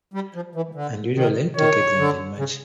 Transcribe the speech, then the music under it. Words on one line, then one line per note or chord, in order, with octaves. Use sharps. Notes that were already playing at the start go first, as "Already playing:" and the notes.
And usually take exams in March.
G3
F3
E3
D3
D#3
D#3 C#5
D3
C#3